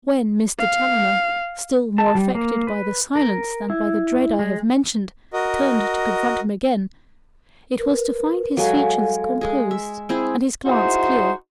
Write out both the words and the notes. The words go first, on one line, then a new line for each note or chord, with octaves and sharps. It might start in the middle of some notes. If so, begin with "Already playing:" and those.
When Mr. Challoner, still more affected by the silence than by the dread I have mentioned, turned to confront him again, it was to find his features composed and his glance clear.
F5
A5
G3
A#3
B4
A#4
E4
G#3
F#4 A#4 D#5
A#4 B4
F#3 G#3 A4 F5 G#5
G#3 G#4
E5
C4 E4 G#4 G#5
D#4 E4 F#4 G#4 C5